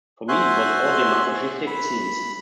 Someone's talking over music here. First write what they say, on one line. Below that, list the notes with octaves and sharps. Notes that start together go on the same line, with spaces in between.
For me, it was all the masochistic scenes.
F#4 C5 E5 G#5 C6 F#6
B5